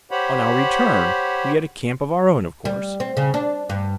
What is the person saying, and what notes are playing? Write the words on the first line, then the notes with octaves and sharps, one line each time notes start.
On our return, we had a camp of our own, of course.
G4 C5 C#5 F#5 B5
G3
C4
C#3
D4
G2